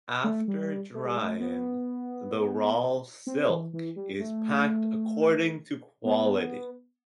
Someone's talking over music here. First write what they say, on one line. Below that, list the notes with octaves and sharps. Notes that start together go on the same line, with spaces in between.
After drying, the raw silk is packed according to quality.
A3
G3
A3
G3
A3
B3
C4
E3
E3
G3
A3
B3